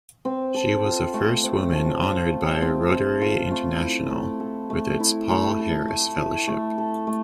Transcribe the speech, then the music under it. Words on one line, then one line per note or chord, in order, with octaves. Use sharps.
She was the first woman honored by Rotary International with its Paul Harris Fellowship.
C4
A4
F4
A3
C4
A4
F4
A3
C4
A4
F4
A3
E4
A3
A4
A3
E4
A3
A4
A3
E4
A3
A4
A3